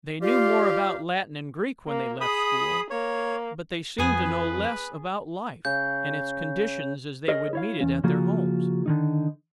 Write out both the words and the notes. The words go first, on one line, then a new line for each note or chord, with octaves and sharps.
They knew more about Latin and Greek when they left school, but they seemed to know less about life and its conditions as they would meet it at their homes.
F4 G4 D5 F5
A#3
G#4 B5 D#6
A#3 C#5
F2 B3 G#4 B4
C#3 G6
G#4 A#4 C#5 D#5
E4 C#5 F5
E2 C#4
C#3 F3 A#3 F4 F#4 G#4
D3 D#3 D#4